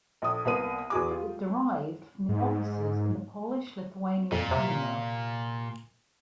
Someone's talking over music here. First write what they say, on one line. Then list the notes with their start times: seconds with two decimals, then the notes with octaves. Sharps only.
It derived from the offices in the Polish-Lithuanian Commonwealth.
0.22 A#1 A4 D#6
0.45 C2 A#3 B3 C5 D#6 D#7
0.90 E2 F#4 G#4 D6
1.11 F4 G4
2.29 G#2
4.32 F2 A#2
4.51 C3